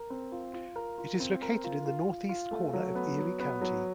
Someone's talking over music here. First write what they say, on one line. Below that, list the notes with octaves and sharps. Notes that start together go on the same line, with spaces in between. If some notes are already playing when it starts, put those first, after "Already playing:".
It is located in the northeastern corner of Erie County.
Already playing: A#4
C4
F4
F4
A#4
F4
C4
A#4
F4
F4
F4
F4
A3
F#3
B3
F#3
B3
F#3